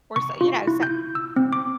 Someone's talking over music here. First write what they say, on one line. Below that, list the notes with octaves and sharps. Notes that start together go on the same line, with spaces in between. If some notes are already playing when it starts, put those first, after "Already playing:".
or so you know, s
C#6
F4
E4
G6
E6
C4
D6